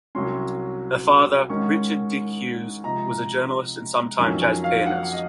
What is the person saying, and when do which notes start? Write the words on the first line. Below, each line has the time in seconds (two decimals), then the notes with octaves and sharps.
Her father, Richard "Dick" Hughes, was a journalist and sometime jazz pianist.
0.15 C2 C3 F#3 C#4 C6
1.49 G#2 D#3 G#3 C#4 C#6
2.84 C3 F3 G#3 A#5
4.18 F2 D#3 F#3 C#4 G#5
4.41 G#5
4.64 F5
4.86 F#5
5.03 F#5
5.12 D#5